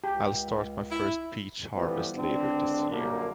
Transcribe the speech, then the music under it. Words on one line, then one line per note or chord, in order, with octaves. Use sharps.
I'll start my first peach harvest later this year.
C#2 G4
E4
E3 F3 G3 A3 B3 C4
C#2 D3 C4 D4
F#2 A#2 D3 G3 A#3